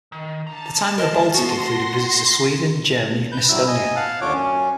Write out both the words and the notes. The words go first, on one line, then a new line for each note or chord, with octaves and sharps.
The time in the Baltic included visits to Sweden, Germany and Estonia.
D#3
D4 A5 A#5
C2 G#3 A#4 D#5
B3 F#4 F#5 C6 A#6
B4 G6
G2 F#3 E4 E6
D#5 G#5
F5 F#5 A5
D#2 D3 F4 C#5 D6
F#2 C#4